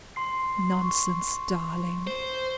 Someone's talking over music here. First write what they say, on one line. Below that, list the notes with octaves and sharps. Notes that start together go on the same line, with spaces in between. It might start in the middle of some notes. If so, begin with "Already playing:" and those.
'Nonsense, darling!
C6 C7
C#6
C5